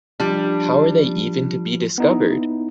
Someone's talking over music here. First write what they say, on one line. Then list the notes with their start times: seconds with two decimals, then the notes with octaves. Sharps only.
How are they even to be discovered?
0.20 F3 G3 D4
1.98 B3 D#4 E4